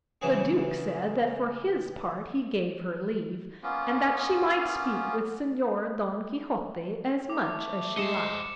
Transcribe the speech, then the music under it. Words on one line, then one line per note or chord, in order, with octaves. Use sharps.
The duke said that for his part he gave her leave, and that she might speak with Senor Don Quixote as much as she liked.
C#3 E3 F#3 G#4
A#3 B3 C#4 F4
A3 D6
G#3 C5 D#5 C#7 E7